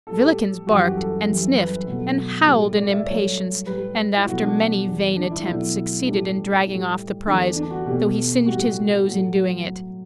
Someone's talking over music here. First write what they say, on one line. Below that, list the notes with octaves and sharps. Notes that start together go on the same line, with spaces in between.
Villikins barked, and sniffed, and howled in impatience, and after many vain attempts succeeded in dragging off the prize, though he singed his nose in doing it.
A2 G3 A4
G4
F#2 E3 G3 F#4
G4
A4
F#2 E3 G3
B4
B2 F#3 A3
A2 G3
D5
E5
G2 F#3 A3 C#5
A2 G3 B4
E4
B2 F#3 A3 F#4
D4
E2 D3 G3
D4
E4
B2 F#3 A3 E4
A2 G3 D4
A2 G3
E2 D3 A3 D4
D4
F#4
B2 A3 G4
A2 G3 F#4
A2 F#3 A3